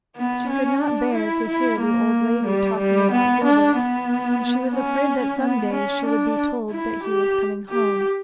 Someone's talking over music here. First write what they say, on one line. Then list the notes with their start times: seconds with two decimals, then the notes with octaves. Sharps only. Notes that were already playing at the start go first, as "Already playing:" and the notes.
She could not bear to hear the old lady talking about Gilbert, and she was afraid that some day she would be told that he was coming home.
0.17 B3
0.50 C#4
0.82 D4
1.15 E4
1.48 E4
1.80 A#3
2.46 G3
2.78 G3
3.12 B3
3.44 D4
3.76 B3
4.74 C#4
5.40 B3
5.73 C#4
6.06 D4
6.71 E4
7.03 G4
7.70 G4